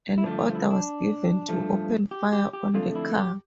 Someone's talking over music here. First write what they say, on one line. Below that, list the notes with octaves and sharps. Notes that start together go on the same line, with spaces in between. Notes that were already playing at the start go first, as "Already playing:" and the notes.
An order was given to open fire on the car.
E4
G2 D3 F3 A3 D4
F4
E4
D4
G2 F3 A3
G4
G4
G4
F2 D3 A3 F4
E4
G4